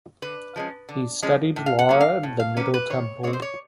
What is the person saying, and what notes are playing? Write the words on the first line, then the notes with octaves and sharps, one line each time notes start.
He studied law at the Middle Temple.
D3 B4
F3 G#3 C#4
D3
F3 G#3 C#4
A2
F5
F#5
F#3 A#3 C#4
F5
A2
F5
F#3 A#3 C#4 B4
B4
D#3 C#5
G#3 C4 C#5
C5
C#5